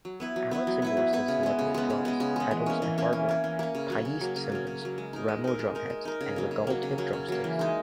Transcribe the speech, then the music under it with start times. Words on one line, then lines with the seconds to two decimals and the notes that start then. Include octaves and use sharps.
Alex endorses Ludwig drums, pedals and hardware, Paiste cymbals, Remo drumheads and Regaltip drumsticks.
0.05 F#3
0.20 B3 E4 B4
0.36 F#3
0.51 B3 E4 B4
0.67 F#3
0.82 B3 E4 B4
0.97 F#3
1.13 B3 E4 B4
1.28 C#3
1.43 G#3 B3
1.59 C#3
1.74 G#3 B3
1.90 C#3
2.05 G#3 B3
2.20 C#3
2.36 G#3 B3
2.51 E3
2.66 A#3 C#4
2.82 E3
2.98 A#3 C#4
3.13 E3
3.29 A#3 C#4
3.44 E3
3.59 A#3 C#4
3.75 C#3
3.90 F#3 A#3
4.05 C#3
4.21 F#3 A#3
4.36 C#3
4.52 F#3 A#3
4.67 C#3
4.82 F#3 A#3
4.98 G#3
5.13 D#4 A#4
5.28 G#3
5.44 D#4 A#4
5.59 G#3
5.75 D#4 A#4
5.90 G#3
6.05 D#4 A#4
6.21 C#3
6.36 F#3 A#3
6.51 C#3
6.67 F#3 A#3
6.83 C#3
6.98 F#3 A#3
7.13 C#3
7.28 F#3 A#3
7.44 E3
7.59 G#3 D#4